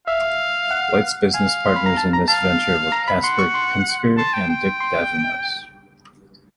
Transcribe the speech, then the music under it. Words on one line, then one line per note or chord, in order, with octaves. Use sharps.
Light's business partners in this venture were Casper Pinsker and Dick Davemos.
E5 F5
F#5
F5 G#5
C6
B5
A#5
A5
A#5
F5 A5
A#5
B5
F#5 C6
C#6
C6
A5 C6
G5
G5
C6